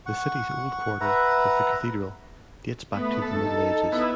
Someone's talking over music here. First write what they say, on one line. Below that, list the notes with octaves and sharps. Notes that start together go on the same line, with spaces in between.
The city's old quarter, with the cathedral, dates back to the Middle Ages.
F#5 C#6
B4 E5 F#5 A#5
A3 B3
F2 A3 A4
D#4
B3 E4